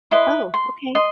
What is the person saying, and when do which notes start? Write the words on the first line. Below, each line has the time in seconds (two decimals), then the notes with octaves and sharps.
Oh, okay.
0.11 E4 B4 D#5 C6
0.54 C6
0.95 D#5 C6